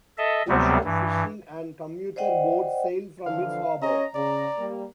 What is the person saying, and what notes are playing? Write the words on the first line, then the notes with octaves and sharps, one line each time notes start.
Pleasure, fishing and commuter boats sail from its harbor.
A4 D#5 E5
D2 C3 F#3 G3 B3 C4
G2 E3
C5 D5 D#5 F#5 G5
D3 E3 F3 F5
C#4 G#4 C#5 D#5 A#5
C#3 D5
G3 A#3